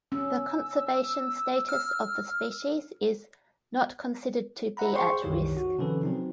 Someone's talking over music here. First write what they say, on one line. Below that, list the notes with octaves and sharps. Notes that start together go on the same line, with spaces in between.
The conservation status of the species is "not considered to be at risk".
C#4 E6
F6
E5 F#5 A#5 B5
G#4 C5 F5 G5 C6 C#6
C2 F#2 D#3 E3 G4 C#5
F#4
C3 D#3 F3 C#4 A4 B4
F#3 C4 D#4